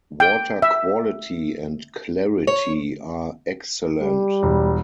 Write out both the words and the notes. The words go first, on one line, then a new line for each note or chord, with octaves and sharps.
Water quality and clarity are excellent.
G5
E5
C#5
G3
E1